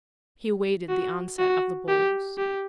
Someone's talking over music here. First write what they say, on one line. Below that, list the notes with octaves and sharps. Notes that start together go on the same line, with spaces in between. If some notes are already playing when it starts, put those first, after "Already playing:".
He awaited the onset of the bulls.
F#4
F#4
G4
G4